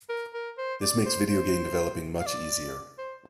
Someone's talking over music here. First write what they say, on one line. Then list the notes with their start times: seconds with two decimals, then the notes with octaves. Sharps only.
This makes video game developing much easier.
0.09 A#4
0.34 A#4
0.58 C5
0.82 D5
1.06 C5
1.30 C5
2.20 F5
2.26 D5
2.98 C5